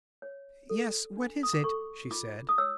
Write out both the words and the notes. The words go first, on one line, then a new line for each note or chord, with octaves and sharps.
"Yes, what is it?" she said.
C#5
A4
D4
D#6
D6
A4 C#6
F4 D6
D#6
C#5 E6